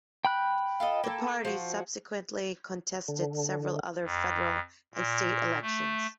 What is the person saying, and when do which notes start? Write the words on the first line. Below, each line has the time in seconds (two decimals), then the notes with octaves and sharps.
The party subsequently contested several other federal and state elections.
0.25 G5 B5 F#6
0.80 F4 A4 D#5
1.04 A#3 A4
1.45 F3 F#4
3.08 D3
4.03 F2
4.94 A#2
5.62 A3